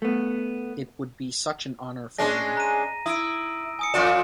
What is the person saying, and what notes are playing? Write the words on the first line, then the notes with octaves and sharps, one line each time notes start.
It would be such an honor for me.
A3 B3
G#3 C#4 D4 A#6
A#5 D#7
E4 D#6 E6 D7
G#5 D#6 C#7
F2 F4 D5 D#6 D7 E7